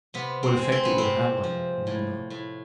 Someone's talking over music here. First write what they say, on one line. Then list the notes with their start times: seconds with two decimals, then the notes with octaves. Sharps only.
What effect it will have, I know not.
0.14 C3 B3
0.43 C4
0.57 G#3
0.72 C4
0.85 B3
0.98 C3 C4
1.44 F3
1.87 A2
2.30 A2